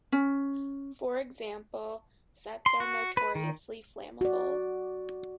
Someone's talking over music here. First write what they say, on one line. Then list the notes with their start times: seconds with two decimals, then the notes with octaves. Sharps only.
For example, sets are notoriously flammable.
0.12 C#4
2.66 C6
2.80 F#4
3.17 B4
3.35 D#3
4.21 F#4 D5